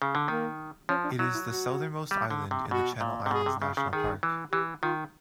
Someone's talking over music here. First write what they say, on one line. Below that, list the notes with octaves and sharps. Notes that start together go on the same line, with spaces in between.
It is the southern-most island in the Channel Islands National Park.
C#3
D3
D#3 A#3
F3 C#4
D4
F#3 E4
E4
F#4
G3
D3
C3
B2 F#4
A#2
C3
B2 G#4
C3
C#3
C#3
D#3 G#4
E3
E3 G4
D#3 F4